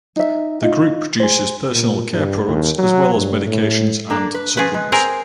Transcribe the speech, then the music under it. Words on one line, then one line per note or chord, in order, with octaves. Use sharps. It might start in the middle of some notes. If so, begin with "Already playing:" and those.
The group produces personal care products as well as medications and supplements.
D#4 E5
D#4 F4
G#4 C5
A#2
G2
D#2
F#3
G2
A2
A#3 D4 A4
B4
F3 C#4 G#4 B4
G#3
C4 G#4 A#4 C5 G#5